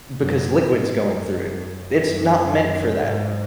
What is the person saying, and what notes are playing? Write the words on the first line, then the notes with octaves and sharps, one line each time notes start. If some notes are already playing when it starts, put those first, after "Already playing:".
because liquids going through it. It's not meant for that.
F#2
G#2
F#2
F#2
G#2